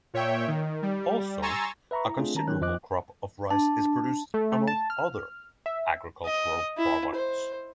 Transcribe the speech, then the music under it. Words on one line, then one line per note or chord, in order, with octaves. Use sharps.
Also a considerable crop of rice is produced among other agricultural products.
A#2 C#5 E5 G5
D#3
G3
G#5 A#5 C6 C#6 E6 A6
B4 E5 A#5 B5 C#6
E4 A#5
A3 C4 D4 F4 G#4
D#3 C#4 A5 A#5
D#3 F#3 C#4 F#6
F2 F3 C5 D#5 D6 F#6
D4 A5
A3
A3
A5
F6
E5
D#5
E4
C5